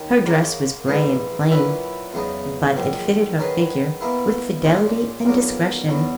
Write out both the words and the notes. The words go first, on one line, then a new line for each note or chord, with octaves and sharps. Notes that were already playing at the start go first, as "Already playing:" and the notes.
Her dress was grey and plain, but it fitted her figure with fidelity and discretion.
Already playing: D#2 D#3 C#4
F#2 C#3 F#3 A#3
A#1 G#2 E3 G#3 D#4
A#2 F#3 C#4 E4 B4
E2 C#3 F#3 B3 D#4
A#1 G#2 D#3 F#3
D#3 F#3 C#4 G#4 B4
B2 A#3 E4
A#1 A#2 G#3 C#4
B1 A#2 F#3 A#3
E2 B2 F#3